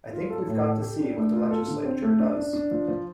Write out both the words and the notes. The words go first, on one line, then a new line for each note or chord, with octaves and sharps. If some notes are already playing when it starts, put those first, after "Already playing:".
I think we've got to see what the Legislature does.
F4
A4
A2
A4
G4
D4
A3
F4
A4
D3
C4
A3
D4
D4
D4
F3
F3